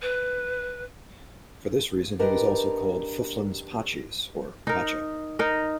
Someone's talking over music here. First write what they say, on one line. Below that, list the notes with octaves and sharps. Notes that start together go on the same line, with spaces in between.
For this reason he was also called Fufluns Pachies or Pacha.
B4
D4 G4 A#4 B4 D#5
D#4 A#4
D#4 A#4 D#5